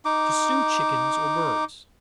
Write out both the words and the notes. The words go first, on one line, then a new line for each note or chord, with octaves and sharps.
To Stew Chickens or Birds.
D#4 D6